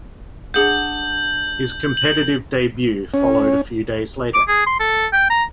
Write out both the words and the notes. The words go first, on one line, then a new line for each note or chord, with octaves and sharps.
His competitive debut followed a few days later.
D4 G#4 F#5 G6 F#7
F#7
C#4
D6
G#4
C6
A4
G5
A#5